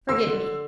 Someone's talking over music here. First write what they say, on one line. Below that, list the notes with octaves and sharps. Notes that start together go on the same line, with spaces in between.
Forgive me.
D3 C6 E6
D3